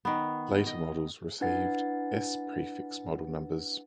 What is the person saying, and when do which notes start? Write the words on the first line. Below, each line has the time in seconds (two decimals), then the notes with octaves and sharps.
Later models received S-prefix model numbers.
0.05 D#3 B3
0.67 D#5
1.41 D4 E4 B4 F#5 A6